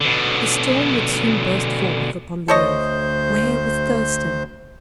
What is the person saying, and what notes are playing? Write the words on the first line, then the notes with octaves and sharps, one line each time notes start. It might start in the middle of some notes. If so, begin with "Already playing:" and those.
The storm would soon burst forth upon the earth; where was Thurston?
B2 D3
D2 A4 C5 C#5 D#5 G6